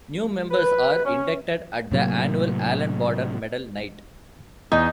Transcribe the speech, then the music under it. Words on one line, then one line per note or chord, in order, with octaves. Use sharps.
New members are inducted at the annual Allan Border Medal night.
B4
C#4
A2 C3 F#3 A#3
E2 D#4 D#5